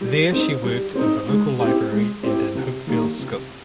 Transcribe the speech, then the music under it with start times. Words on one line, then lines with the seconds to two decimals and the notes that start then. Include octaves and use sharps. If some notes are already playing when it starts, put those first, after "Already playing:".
There she worked in the local library and in Hopefield School.
0.01 G3
0.32 C4 D#4
0.64 G3
0.95 C4 D#4
1.28 G#3
1.60 C4 E4 G4
1.91 G#3
2.23 C4 E4 G4
2.55 C3
2.87 D#3 G3 A#3
3.19 C3